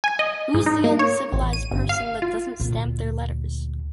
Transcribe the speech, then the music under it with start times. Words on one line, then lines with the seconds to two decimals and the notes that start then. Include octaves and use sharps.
Who’s the uncivilized person that doesn’t stamp their letters?
0.04 G#5
0.19 D#5
0.54 G#2
0.66 D#4
0.84 A#3
0.99 C#5
1.32 A1
1.53 D#7
1.71 G1
1.89 F5
2.22 F4
2.60 D2 A#2